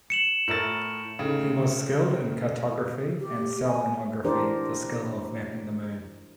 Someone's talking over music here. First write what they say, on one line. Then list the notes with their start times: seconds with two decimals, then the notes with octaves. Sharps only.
He was skilled in cartography and selenography, the skill of mapping the Moon.
0.10 C#7 E7 F#7
0.48 A2 E4 F4 A#4 A6
1.19 A2 C#3 D#4
3.20 G4
3.68 G#5
4.24 E3 D4 G4 A#4 C5 D5